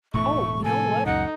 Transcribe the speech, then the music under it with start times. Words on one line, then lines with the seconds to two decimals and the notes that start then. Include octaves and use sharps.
Oh, you know what?
0.14 E1 A2 A3 C#6
0.64 A2 C3 F3 A4 G#5
1.06 C#2 F#2 A#2 D#4 F#5